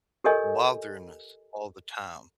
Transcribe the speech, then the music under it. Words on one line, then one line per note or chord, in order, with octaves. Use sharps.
bothering us all the time
G4 A4 A#4 C#5 D#5 G#5